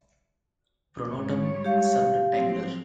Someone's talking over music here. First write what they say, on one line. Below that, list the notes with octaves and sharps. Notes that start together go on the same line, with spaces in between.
Pronotum sub rectangular.
G#2 G3 C#5
G4 F5
F3 F#3 C4